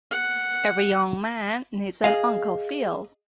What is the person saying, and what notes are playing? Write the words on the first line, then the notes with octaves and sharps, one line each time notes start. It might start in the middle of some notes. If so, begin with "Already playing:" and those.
Every young man needs an Uncle Phil.
F#5
G#4 D#5 F5